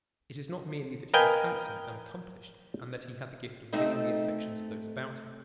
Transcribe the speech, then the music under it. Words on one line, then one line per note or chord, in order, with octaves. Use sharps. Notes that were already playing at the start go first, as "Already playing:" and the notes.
It is not merely that he was handsome and accomplished and that he had the gift of winning the affections of those about him.
A#4 B4 D#5 F5 G5 G#5
A3 C4 D#4